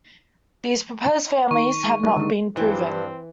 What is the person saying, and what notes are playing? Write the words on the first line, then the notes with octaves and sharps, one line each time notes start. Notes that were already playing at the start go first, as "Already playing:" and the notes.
These proposed families have not been proven.
D#3 C#6
G#3
G3 A#3 D#4
D3 D#3 G#3
G2 E3 C4